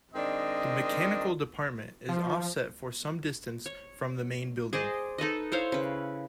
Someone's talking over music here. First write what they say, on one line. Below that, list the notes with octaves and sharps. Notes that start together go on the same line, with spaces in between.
The mechanical department is offset for some distance from the main building.
D#3 G#3 C4 D4 D#5
F3
C#5
G#4 C5 D5 D#5
D#4 A4 B4 D#5
E4 C5 C#5 F5
C#3 B4